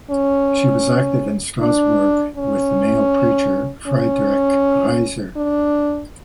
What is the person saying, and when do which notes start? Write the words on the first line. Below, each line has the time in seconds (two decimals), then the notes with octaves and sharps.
She was active in Strasbourg with the male preacher Friedrich Reiser.
0.11 C#4
1.60 D4
2.37 C#4
3.87 C#4
5.36 D4